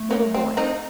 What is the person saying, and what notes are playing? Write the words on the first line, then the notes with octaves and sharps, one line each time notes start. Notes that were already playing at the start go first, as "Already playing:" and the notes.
Little boy.
Already playing: A3
A#3 C#4
C4
C4 D#4